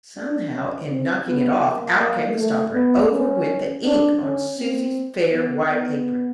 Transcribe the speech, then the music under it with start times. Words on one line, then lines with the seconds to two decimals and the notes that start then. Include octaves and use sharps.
Somehow, in "knocking it off," out came the stopper, and over went the ink on Susy's fair white apron.
0.17 D4
0.54 C#4
0.90 C4
1.27 B3
1.64 A#3
2.00 A#3
2.37 A3
2.74 B3
3.11 C#4
3.85 D4
4.21 C#4
4.58 C4
5.31 B3
5.68 B3